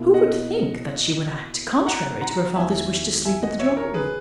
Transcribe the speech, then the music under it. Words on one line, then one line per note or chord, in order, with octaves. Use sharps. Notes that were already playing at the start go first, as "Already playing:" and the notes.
Who would think that she would act contrary to her father's wish to sleep in the drawing-room?
Already playing: B2 A#3 E4
D#5 F#5
F#5 A#5
F#5 A#5
E2 D#3 G#3 D#4 F#4 E5 G#5
E5 G#5
D#5 F#5
C#5 E5
A#4 C#5
G#4 B4